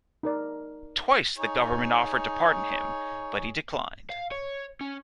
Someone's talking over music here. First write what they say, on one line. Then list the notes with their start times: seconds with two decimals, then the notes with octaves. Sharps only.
Twice the government offered to pardon him, but he declined.
0.23 D#4 A#4 D5
1.38 D#4 G#4 C#5
4.10 F5
4.31 C#5
4.81 C#4